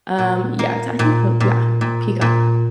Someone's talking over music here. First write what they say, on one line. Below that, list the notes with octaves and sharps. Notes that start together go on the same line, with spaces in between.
um, yeah, I think so, yeah, Peacock,
A#2
A#3
A#2
A#2
A#2
A#2